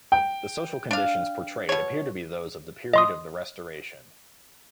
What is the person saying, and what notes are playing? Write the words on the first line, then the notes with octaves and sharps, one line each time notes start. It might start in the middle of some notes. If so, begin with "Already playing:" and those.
The social conditions portrayed appear to be those of the period of the Restoration.
G5
D4 F5
B2 C#5
D#5 C6 D#6